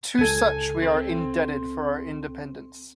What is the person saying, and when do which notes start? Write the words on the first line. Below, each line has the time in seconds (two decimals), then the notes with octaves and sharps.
To such we are indebted for our Independence.
0.19 C#2 A4 G#5
0.82 C4